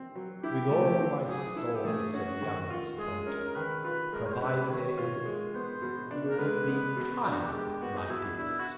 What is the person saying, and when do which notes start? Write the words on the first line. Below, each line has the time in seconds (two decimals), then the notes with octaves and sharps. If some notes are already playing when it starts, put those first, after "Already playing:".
With all my Soul, said the amorous Pontiff, provided----you'll be kind, my dearest.
Already playing: C4
0.16 F#3
0.43 E4 G4
0.71 A3
1.00 C4
1.29 F#3 G#4
1.56 E4 A4
1.75 G4
1.85 A3 G#4
2.14 C#4 F#4
2.42 D#3
2.70 F4
2.98 G#3 G#4
3.27 C#4 A#4
3.48 A#4
3.55 D#3 B4
3.84 F4 B4
4.12 G#3 A#4
4.26 C#5
4.33 C5
4.41 C#4 B4
4.69 D#3 C#5
4.98 F4
5.25 G#3
5.54 B3 C5
5.82 B2
6.11 D4
6.30 A#4
6.39 G#3 B4
6.68 B3
6.96 B2
7.24 D4 G4
7.32 F#4
7.39 G4
7.52 G#3 G4
7.81 B3 F#4
7.98 D#4
8.09 B2 E4
8.37 D4 E4
8.60 F#4